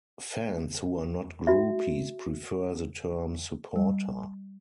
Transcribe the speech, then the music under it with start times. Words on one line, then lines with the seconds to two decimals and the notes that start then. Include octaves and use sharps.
Fans who are not groupies prefer the term "supporter".
1.47 F#4 E5
3.76 G3